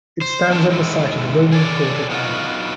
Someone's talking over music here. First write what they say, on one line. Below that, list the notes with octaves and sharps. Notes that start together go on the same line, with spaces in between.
It stands on the site of the Roman fort of Banna.
C5
A#2 D#3 C#4 F4 A4 A5
D#3 G#3 A3 E4
G#4 A4 C#5 D5
F#3 B3 D#4 F4 F#4